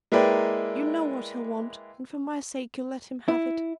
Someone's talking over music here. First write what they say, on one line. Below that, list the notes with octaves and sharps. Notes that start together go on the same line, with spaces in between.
You know what he'll want, and for my sake you'll let him have it.
G#3 A#3 E4 B4 D5 G5
E4